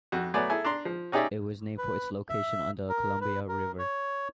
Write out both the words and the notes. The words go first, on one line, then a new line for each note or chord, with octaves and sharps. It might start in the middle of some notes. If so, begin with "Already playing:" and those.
It was named for its location on the Columbia River.
F2 F#4
F#3 A3 B3 D5 G#5
E4 G#4 A4 G#5
D4 A#5 C6
F3
C#4 D#4 G4 G#4 D5 E5
B4
E5
A#4
B4
A#4
C#5